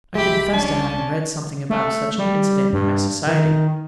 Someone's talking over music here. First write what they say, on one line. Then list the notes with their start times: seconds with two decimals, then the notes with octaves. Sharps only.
I confessed to having read something about such an incident in high society.
0.15 C2 G#3 G4 E5 B5
0.54 C#4 D4 A5
1.70 A3
2.18 G3
2.73 G2
3.27 D#3